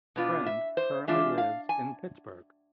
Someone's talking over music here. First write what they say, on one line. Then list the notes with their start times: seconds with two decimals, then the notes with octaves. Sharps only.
Friend currently lives in Pittsburgh.
0.16 B2 B3 D4 F4
0.46 E5
0.77 C5
1.08 E3 G#3 D4 F4 E5
1.38 F5
1.69 G#5